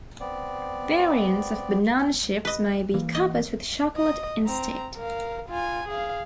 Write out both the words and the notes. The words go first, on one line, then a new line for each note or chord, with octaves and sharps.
Variants of banana chips may be covered with chocolate instead.
B3 C4 D5
B4 D#5
E3 A#3
D#5
D#5
C4 A#5
A#4 F5
F4 G#5
G#4 F5